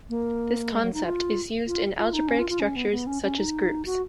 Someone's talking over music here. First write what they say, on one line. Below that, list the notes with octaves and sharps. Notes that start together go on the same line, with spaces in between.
This concept is used in algebraic structures such as groups.
A#3
G#3
F#3
D#4
F4
F4
F4
D#4
C#4
F4
F4
C#4
B3
B3
C#4
C#4
D#4
F#4